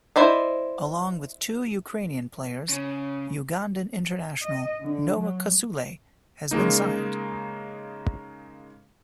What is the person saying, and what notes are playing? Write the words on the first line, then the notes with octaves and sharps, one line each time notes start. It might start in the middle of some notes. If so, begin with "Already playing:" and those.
Along with two Ukrainian players, Ugandan international, Noah Kasule, has been signed.
E4 C5 D5 D#5
C#3
D#5
D3
F#3
C#3 G#3 A#3 D#4